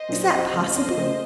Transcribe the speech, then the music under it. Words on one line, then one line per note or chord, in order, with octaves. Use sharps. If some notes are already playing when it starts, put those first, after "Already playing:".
Is that possible?
Already playing: C5 D#5
A#2 F#3
F2
C#3 A3 C4
F2 C5 D#5
C#3 A3 C4